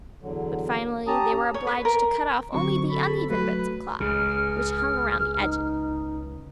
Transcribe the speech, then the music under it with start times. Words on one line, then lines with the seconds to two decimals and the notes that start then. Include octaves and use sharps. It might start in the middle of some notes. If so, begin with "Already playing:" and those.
But finally they were obliged to cut off only the uneven bits of cloth which hung around the edges.
0.22 E2 D3 F#3
1.07 C#4 G4 A5 A#5 D#6
1.54 C#5
1.67 B4
1.85 A#4
2.53 D3 F#3 C4 C#6
2.90 A4 B5
3.29 F#3 A3 B4
4.00 C#2 C#3 G#4 F6
5.39 D#4